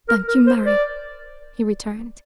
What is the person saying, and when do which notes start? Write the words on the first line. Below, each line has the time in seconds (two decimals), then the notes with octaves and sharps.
"Thank you, Mary," he returned.
0.08 A#4
0.28 A#4
0.47 C5
0.66 D5